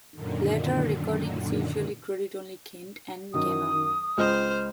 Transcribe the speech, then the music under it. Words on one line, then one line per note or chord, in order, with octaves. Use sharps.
Later recordings usually credit only Kent and Gannon.
F#2 A#2 D3 D#3
F#2 D#3 F#3 D#6
C#2 G#3 C5 D#5 F6